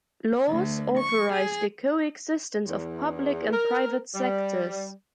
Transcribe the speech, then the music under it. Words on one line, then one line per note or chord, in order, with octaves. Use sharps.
Laws authorize the coexistence of public and private sectors.
D2
C#6
G#4
E2
A#4
G3